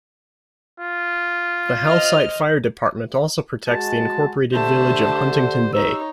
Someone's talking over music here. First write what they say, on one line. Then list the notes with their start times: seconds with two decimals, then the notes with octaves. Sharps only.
The Halesite Fire Department also protects the incorporated village of Huntington Bay.
0.80 F4
1.86 C5 D#5 F6
3.68 G#3 F#4 A5
4.53 D3 A3 G4 C5 A5
5.73 D#4 C#5 E6